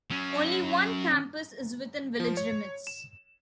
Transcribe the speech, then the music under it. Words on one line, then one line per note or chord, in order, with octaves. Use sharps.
Only one campus is within village limits.
F#3 C#4
F3
C#5
E7